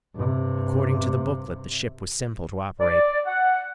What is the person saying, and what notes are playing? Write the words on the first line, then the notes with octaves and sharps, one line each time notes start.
According to the booklet, the ship was simple to operate.
G2 C3
D5
F#5